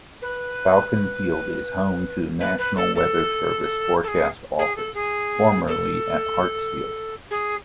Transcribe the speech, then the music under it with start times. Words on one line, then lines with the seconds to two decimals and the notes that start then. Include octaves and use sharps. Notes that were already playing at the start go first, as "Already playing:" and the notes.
Falcon Field is home to the National Weather Service forecast office, formerly at Hartsfield.
0.22 B4
2.40 B4
2.58 B4
2.76 A4
2.95 A4
4.03 A4
4.08 G#4
4.58 G#4
4.76 A4
4.94 G#4
5.67 A4
7.30 G#4